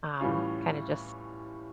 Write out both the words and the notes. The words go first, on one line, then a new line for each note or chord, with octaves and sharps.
um, kinda just
A2 E3 G3 C#4 F4